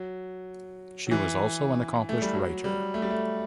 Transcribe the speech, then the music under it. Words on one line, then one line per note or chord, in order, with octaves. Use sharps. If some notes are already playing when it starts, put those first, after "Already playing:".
She was also an accomplished writer.
Already playing: F#3
F#3
E3
A3
G3
F#3
G3
A3
G3
A3